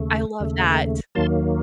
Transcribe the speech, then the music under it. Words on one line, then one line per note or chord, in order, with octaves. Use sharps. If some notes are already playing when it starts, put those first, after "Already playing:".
I love that.
Already playing: D#2 C#3 A3
D#2 C#3 A3
D#2 D#3 F#3 A#3 A5 C6